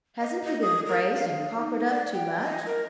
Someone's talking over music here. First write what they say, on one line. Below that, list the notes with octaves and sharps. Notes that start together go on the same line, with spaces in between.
Hasn't he been praised and cockered up too much?
D#5
D#5
D#6
A#4
F5
D#4
D5
G5
D#5
A#4